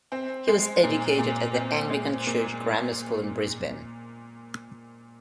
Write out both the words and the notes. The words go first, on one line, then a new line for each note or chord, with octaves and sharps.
He was educated at the Anglican Church Grammar School in Brisbane.
C4
G#3
A#2
A#2
C4
G#3
A#2